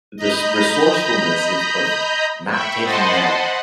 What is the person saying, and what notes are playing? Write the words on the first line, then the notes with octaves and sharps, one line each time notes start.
the s resourcefulness of of not taking that,
D#5 A#5 B5 G6
E5 G5 B5 C#6
C5 D#5 F#5 A5 B5 C6
F#5